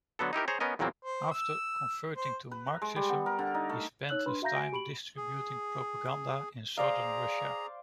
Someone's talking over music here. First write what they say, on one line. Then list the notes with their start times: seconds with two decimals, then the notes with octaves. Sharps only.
After converting to Marxism, he spent his time distributing propaganda in southern Russia.
0.19 D3 F#3 B3 A4
0.33 D#4 E4 G4 A#4
0.48 G#4 C5 C#5 A#5
0.60 B3 C#4 A#4 D#5
0.79 E2 A#2 E3 F#3 A#3 C4
1.03 C5
1.32 E6
2.17 C5
2.51 B4
2.67 A#5
2.82 G#3
2.96 G3
3.10 B3
3.26 A#4
3.39 D3
3.54 D#4
3.69 A3
4.09 D#4 C#5 E6 F#6 F#7
4.26 D4 B4 B5 C6
4.42 F#4 E5 F5 A#5 G6 A#6
4.55 F#4 G#5 D7
4.73 G4 B5 D7 F#7
5.16 G#4
6.77 G#4 C5 D5 F5 A#5